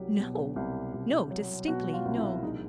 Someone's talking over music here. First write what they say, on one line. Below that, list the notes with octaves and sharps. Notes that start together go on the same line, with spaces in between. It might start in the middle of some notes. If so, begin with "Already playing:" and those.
"No, no--distinctly no."
Already playing: C2 F#3 G4
B2
C2
C2
F#3
B2 F#4
F4
C2
E4
A#1 D#4